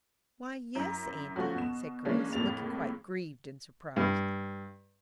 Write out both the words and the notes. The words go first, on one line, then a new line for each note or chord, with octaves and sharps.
"Why, yes, auntie," said Grace, looking quite grieved and surprised.
F#2 E4 A#5
F3 A3 C#4 F#4
B2 E7
E3 G#3 A#3 C#4 D4
F2 A2 G#3 A#3 A6 F7
G2